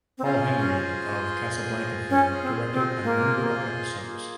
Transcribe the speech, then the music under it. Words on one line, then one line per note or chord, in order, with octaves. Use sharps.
Paul Henreid, of "Casablanca" fame, directed a number of episodes.
C4
C#4 F4 G#4 C5 D#5
C#4
C4
C4
A#3
A#3 F4 G#4